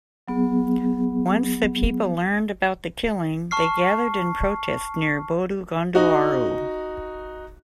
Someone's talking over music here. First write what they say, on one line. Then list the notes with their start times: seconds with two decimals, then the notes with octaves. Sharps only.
Once the people learned about the killing, they gathered in protest near Bodu Ganduvaru.
0.28 F#3 B3 G#4
3.51 A5 C#6 F6 C7
5.95 D#4 F#4